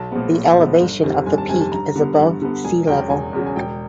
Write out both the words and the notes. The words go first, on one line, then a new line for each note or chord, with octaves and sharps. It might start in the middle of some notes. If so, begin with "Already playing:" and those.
The elevation of the peak is above sea level.
Already playing: B1 A5
A#2 F3 G#3 B3
B1
A#2 F3 G#3 B3
G1
F2 C3 D#3 G3
G1 G#5
A5
F2 C3 D#3 G3 G#5
A5
G2 A#5
D3 G3 B3
G2
D3 G3 B3
E1 G#5
E2 C#3 F#3 G5
E1 G#5
E2 C#3 F#3
G#5
E1 G5